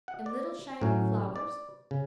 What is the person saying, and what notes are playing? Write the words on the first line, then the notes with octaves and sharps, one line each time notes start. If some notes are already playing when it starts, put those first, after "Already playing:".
"And little shining flowers?"
F#5
D5
A2 F#3 C#4
D5
C#3